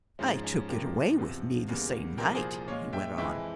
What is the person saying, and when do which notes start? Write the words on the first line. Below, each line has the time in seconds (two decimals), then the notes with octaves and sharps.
"I took it away with me the same night," he went on.
0.19 G#2 F3 G#3 C#4
0.44 C#4
0.68 G2 F3 A#3 G4 A#4
1.18 E2 C3 F3
1.68 E2 C#3 G3 A#3
2.18 C2 A#2 F3 A#3 G4 A#4
2.35 G#4 C5
2.67 A#2 C#5 F5
2.72 G#3
2.93 E5 G5
3.18 F2 E3 G#3 E5 G5